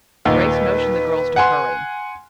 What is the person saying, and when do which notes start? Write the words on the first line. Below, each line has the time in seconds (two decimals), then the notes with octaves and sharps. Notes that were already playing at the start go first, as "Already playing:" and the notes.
Grace motioned the girls to hurry.
0.25 D#2 A#2 B4
1.36 F#5 G#5 C6